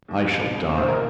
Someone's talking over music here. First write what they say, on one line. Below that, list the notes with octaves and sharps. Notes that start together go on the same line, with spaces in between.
I shall die!
D#2
D#2
C#3
A#2 C5
A#4